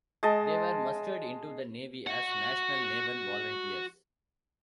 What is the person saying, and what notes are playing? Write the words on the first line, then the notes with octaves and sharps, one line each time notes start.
They were mustered into the Navy as National Naval Volunteers.
G#3 D#5 A5
F#4 F#5